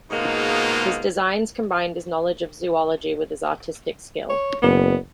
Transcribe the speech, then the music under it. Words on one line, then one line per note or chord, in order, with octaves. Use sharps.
His designs combined his knowledge of zoology with his artistic skill.
G#2 B2 G#3 A#3 D#4 F4
C#5
F#1 B3